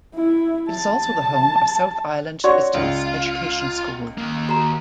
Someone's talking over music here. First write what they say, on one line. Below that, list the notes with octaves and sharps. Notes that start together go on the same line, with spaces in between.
It is also the home of South Island Distance Education School.
E4
A5
F#4 C#5 D5 C6 C#6
C#2 F4
D#2 A#3
F#4 A#5